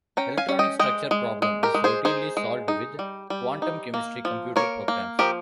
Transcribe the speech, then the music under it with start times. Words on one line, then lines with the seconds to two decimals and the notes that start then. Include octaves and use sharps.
Electronic structure problem is routinely solved with quantum chemistry computer programs.
0.17 C#4 G5 A#5
0.37 F5 G#5
0.49 C#4
0.59 D#5 G5
0.79 G#3 D#5 G5
1.11 G#3
1.42 G#3
1.63 G4 A#4
1.74 G#3
1.84 G#4 C5
2.05 D#4 G#4 C5
2.37 G#3
2.68 D#4
2.99 G3
3.30 G3
3.62 D#4
3.94 A#3
4.25 F3
4.56 A#3 A#4 C#5
4.88 A#3
5.19 F3 G4 A#4